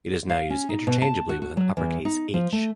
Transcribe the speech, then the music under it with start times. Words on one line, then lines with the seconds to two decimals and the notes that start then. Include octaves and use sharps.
It is now used interchangeably with an uppercase "h".
0.30 F5
0.50 C#4
0.69 D#4
0.87 B2
1.02 A5
1.29 F#4
1.42 F#4
1.57 F#3
1.77 E2
2.05 D#4
2.34 F3
2.52 A3